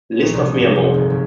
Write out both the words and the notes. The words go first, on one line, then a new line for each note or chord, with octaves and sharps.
List of Mirmo!
A#1
C2
D#6
G#2
F1
G1
F#1